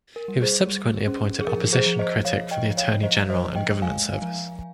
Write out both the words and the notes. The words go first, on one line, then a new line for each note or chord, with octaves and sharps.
He was subsequently appointed opposition critic for the Attorney General and Government Service.
A#4
G3
G#4 C5
G3
C#4
G#4
F3 A#4
G#4 C5
F3
C5 D#5
F3 C#5 F5
D#5 G5
F3
C#5 F5
F3 C5 D#5
C5 D#5
F3
D#5 G5
G#3 F5 G#5
F3